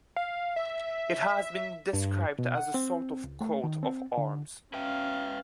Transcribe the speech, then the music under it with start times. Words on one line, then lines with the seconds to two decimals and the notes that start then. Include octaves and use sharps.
It has been described as a sort of Coat of Arms.
0.16 F5
0.56 E5
1.93 G2
2.39 B2
2.55 F#5
2.74 C4
3.24 C#2
3.41 A3
3.64 D#3
3.83 C4
4.18 D3
4.74 C#4 B4 E5 F5 G5